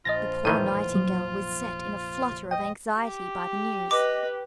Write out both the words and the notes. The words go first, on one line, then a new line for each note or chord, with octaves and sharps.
But the poor Nightingale was set in a flutter of anxiety by the news.
A#1 F4 D#5 A6 A#6
F1 A2 D#3 E3 G6 D#7
F#3
D#5 G5
G4
B4 D#5 D6